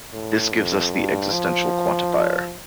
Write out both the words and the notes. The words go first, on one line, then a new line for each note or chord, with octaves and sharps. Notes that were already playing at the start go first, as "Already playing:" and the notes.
This gives us the existential quantifier.
A2
F2
G2
F3